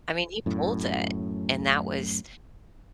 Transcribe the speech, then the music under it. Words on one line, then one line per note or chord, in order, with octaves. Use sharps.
I mean, he pulled it, and that was
F#2 A2